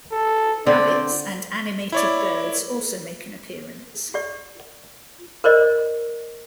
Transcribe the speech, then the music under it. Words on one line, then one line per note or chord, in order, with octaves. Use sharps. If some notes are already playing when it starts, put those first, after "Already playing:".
Rabbits and animated birds also make an appearance.
A4
D3 C4 D5
E4 C#5 D5
G4 D5
A#4 C5 D5 D#5